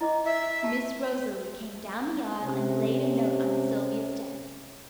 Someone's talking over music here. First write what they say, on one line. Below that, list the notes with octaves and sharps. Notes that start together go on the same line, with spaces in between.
Miss Rosalie came down the aisle and laid a note on Sylvia's desk.
E4 D#5 D6
E5
G4 A5
C3 C#4